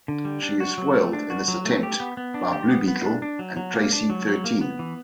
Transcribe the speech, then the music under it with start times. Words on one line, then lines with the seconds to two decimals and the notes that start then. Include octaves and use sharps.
She is foiled in this attempt by Blue Beetle and Traci Thirteen.
0.08 D3
0.25 G3
0.42 D4
0.60 F#4
0.78 F#3
0.95 A3
1.13 D4
1.30 F#4
1.48 F#3
1.65 A3
1.83 G4
2.00 B3
2.17 B3
2.34 D4
2.53 G4
2.70 B3
2.88 B3
3.05 D4
3.22 D4
3.39 F#3
3.57 F#3
3.74 A#3
3.93 D4
4.10 F#3
4.27 F#3
4.44 A#3
4.61 B3
4.79 E3